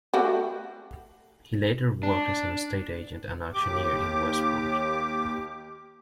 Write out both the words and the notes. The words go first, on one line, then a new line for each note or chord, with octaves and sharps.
He later worked as an estate agent and auctioneer in Westport.
A3 F#4 G4
D4
D#2 G4 D6